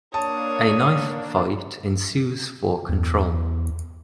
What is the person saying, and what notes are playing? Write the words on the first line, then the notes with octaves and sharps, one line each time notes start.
A knife fight ensues for control.
A#3 D4 C#5 A5 D#6
E2